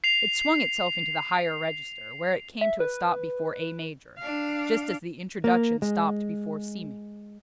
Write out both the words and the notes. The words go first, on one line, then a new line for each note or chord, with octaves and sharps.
It swung itself into the higher register, where it came to a stop before A major, just as the introduction stopped before C major.
C7 F7
E5
B4
D4 F5
A#3
G#3